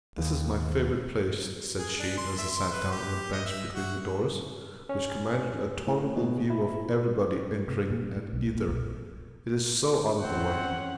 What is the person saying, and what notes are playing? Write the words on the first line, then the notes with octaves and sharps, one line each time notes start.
"This is my favourite place," said she as they sat down on a bench between the doors, which commanded a tolerable view of everybody entering at either; "it is so out of the way."
D#2
G#4
D4
C6
E5
C6
B4
G4
D#5
E5
F#4
C#4
A2
B2
E4
C3
A#2
A3
A2
B1
A#2
B1
E3 C4 C#4 C5 C#5 F#5